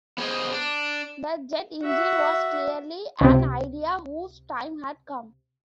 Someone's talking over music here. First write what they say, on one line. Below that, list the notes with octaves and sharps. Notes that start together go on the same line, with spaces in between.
The jet engine was clearly an idea whose time had come.
B3 G#4 C5 D#5
D4
F#4 E5
C#2 C3